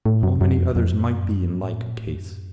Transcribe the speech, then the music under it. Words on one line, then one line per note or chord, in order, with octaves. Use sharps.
How many others might be in like case!
A2
F#2
F#2
F2
F2
F#2
A2
A#2
A2
F#2